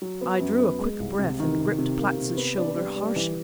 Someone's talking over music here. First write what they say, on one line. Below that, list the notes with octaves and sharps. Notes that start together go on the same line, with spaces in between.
I drew a quick breath and gripped Platts' shoulder harshly.
F#3
B3
F#2
B3
G#3
C2
C3
D#3
C3
C3
A#3
C3
B3
D4
G3
G3
E3